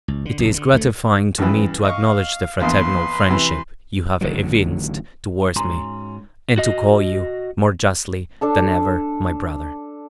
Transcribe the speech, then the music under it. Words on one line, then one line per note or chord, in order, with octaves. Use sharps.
It is gratifying to me to acknowledge the fraternal friendship you have evinced towards me, and to call you, more justly than ever, my brother.
C#2
D3
F1 A#1
D3
D2 G#3 A3
G2 C#3 E3
D#5 F5 C#6
A#1 E2 B4 F5 C6
C3 E3
A1 D3 D#3 F#3
G#2 C#4 F#4 G#5 A#5 C6
F#4 D#5
D4 A4 A5